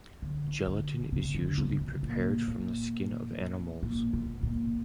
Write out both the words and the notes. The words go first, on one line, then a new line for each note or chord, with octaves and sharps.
Gelatin is usually prepared from the skin of animals.
D3
D3
C#3
D3
C#3
C3
A#2
A#2
A#2
B2
A#2